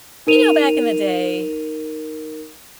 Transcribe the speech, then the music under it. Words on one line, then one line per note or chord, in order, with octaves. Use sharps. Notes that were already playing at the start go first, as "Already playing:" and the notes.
you know back in the day,
D#4 A#4 D#7 F7